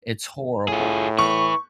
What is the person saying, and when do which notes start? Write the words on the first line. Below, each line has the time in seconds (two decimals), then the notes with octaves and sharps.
it's horrible.
0.68 A2 F4 G#4
1.19 E4 B4 C#6